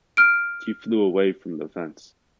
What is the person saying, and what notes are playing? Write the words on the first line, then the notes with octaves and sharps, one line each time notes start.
He flew away from the fence.
F6 D7